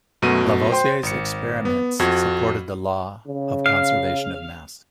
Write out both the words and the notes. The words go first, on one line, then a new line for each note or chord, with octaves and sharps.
Lavoisier's experiments supported the law of conservation of mass.
F#2 B2 A3 F#4 D#7
C5 G5 C6
G#1 C#7
B3
F2 F#4 G#6
C#3
F5